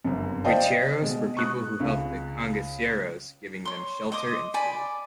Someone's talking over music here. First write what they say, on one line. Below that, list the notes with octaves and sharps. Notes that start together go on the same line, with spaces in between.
Coiteiros were people who helped the cangaceiros, giving them shelter and food.
G1 F#2
C5 D5 D#5 F5 G5 A5
B2 G#3
C#6 D#6 F#6
C#2 C#3
C#5 C6
D#5 C6 D6 D#6
D5 G#5 B5